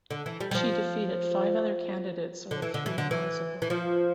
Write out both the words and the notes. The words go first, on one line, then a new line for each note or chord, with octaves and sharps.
She defeated five other candidates over three rounds of voting.
D3
E3
G3
G3
F3
D3
E3
D3
E3
D3
E3
E3
F3